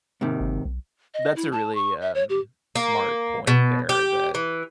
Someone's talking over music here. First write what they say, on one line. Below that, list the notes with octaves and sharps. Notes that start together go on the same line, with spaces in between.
That's a really, um, smart point there that
G#2 C3 D#3
G1
B1
D#5
E4
A5
C#6
E5
C#5
G4
A#3
B2
G4
E3